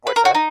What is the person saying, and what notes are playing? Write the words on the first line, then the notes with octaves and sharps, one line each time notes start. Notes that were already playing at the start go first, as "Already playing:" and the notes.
What's that?
B4
A#4
F#4
D#4